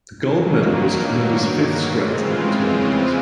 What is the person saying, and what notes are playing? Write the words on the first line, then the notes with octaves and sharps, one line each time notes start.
The gold medal was Canada's fifth straight at the tournament.
G2 D#3 F#3 A#3
C#3 E3 G#3 C4 F4